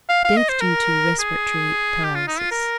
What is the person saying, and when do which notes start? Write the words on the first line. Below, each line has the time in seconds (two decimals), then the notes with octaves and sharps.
Death due to respiratory paralysis.
0.09 F5
0.25 F5
0.37 D#5
0.49 C5
0.61 A#4
1.20 G#4
2.04 G4
2.15 F4
2.27 D#4
2.39 F4
2.51 A#4